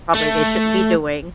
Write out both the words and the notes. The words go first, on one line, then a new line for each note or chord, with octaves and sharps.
probably they shouldn't be doing.
A3